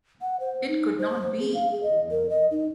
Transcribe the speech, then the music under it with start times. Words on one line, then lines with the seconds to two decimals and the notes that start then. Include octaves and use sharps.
It could not be!
0.22 F#5
0.40 C5
0.68 D#4
0.99 C5
1.40 G#4
1.54 F5
1.72 G#4
1.83 D#5
2.11 A#4
2.30 D#5
2.51 D#4